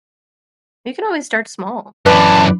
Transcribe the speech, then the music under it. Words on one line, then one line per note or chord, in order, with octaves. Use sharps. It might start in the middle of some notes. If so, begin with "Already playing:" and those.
you can always start small.
F#2 E3 B4 D5 A5